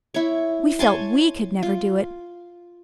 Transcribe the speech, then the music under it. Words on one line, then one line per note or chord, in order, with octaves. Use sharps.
We felt WE could never do it.
E4 C#5
C#5 G#5 A5 C6
F4